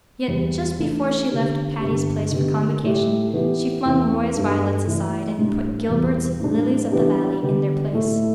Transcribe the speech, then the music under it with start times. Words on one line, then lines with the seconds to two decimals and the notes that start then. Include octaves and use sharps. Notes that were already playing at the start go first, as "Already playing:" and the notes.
Yet just before she left Patty's Place for Convocation she flung Roy's violets aside and put Gilbert's lilies-of-the-valley in their place.
0.28 E2 E3 G3
0.79 E3 A3 D4 A4
1.30 D3 B3 D4 G4
1.80 G2 D3 B3 D4 G4
2.31 D3 B3 G4
2.83 A2 A3 E4 G4
3.34 E3 B3 G4
3.85 E2 E3 B3
4.36 G2 G3 D4 A4
4.87 E3 A3 E4
5.38 A2 G3 D4
5.89 E2 B2 G3
6.40 A2 G3 D4
6.92 E3 B3 D4 G4
7.43 D3 B3 G4
7.93 A2 A3 E4 A4